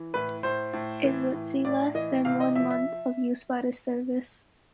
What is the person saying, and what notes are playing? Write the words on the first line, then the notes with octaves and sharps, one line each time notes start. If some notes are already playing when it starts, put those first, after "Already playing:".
It would see less than one month of use by this service.
Already playing: E3
A2 B4
A2 C5
A2
E3
A2
A2 D5
E3 D#5
C3 F5
D#5
F3 E5
E5